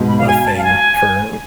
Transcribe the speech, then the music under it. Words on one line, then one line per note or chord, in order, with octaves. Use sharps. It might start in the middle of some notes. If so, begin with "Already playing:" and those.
a thing for
Already playing: G#2 B2
B5
F5
G#5
A5
F5
G#5